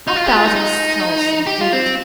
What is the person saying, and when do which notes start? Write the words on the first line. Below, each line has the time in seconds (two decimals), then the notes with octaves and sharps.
A thousand souls, indeed!
0.08 D#4
0.16 F4
0.26 G4
0.36 F4
0.45 D#4
0.56 D#4
1.47 G4
1.61 F4
1.73 C4